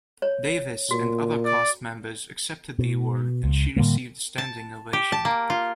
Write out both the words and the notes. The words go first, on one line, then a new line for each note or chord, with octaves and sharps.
Davis and other cast members accepted the award, and she received a standing ovation.
C#5
A#2 F#4
D5
B2
C#2
A2 D3 G3 A#3
A5
G4
A5
A#3
F4